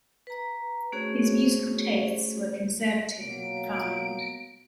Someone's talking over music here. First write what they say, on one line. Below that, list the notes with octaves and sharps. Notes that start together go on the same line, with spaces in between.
His musical tastes were conservative and refined.
B4 A#5
A3 C#4 F#4 G#4 C5 C#5
B2 F#3 A#3 D7